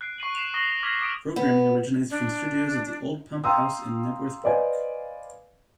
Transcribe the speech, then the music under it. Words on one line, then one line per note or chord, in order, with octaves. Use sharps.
Programming originates from studios at the Old Pump House in Knebworth Park.
F#6 C7 D7
C#6 C7 D#7 F#7
C7 E7 F7
C#6 D#6 A#6 F#7 G7
D6 F6 G#6 A#6 B6
D#6 D7 D#7
B3
D4
F5 G5 A#5 C6 D#6 E6
B4 C5 D5 D#5 F5 G#5